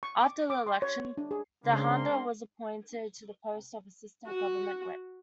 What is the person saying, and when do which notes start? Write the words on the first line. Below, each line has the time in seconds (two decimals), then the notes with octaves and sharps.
After the election, Dhanda was appointed to the post of Assistant Government Whip.
0.03 C#6
0.21 D6
0.50 D6
0.66 C6
0.82 C#5
1.17 D4
1.31 G#4
1.65 C#3 G#3 A#3 C4 D4 A#4 C6
4.28 F#4